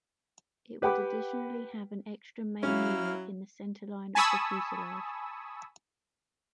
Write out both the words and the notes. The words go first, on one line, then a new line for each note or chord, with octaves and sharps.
It would additionally have an extra main unit in the centerline of the fuselage.
G4 B4 F#5 G5 B5 D6
F#3 C#4 E4 F5 F6
G#5 A5 B5 C#6 D#6 E6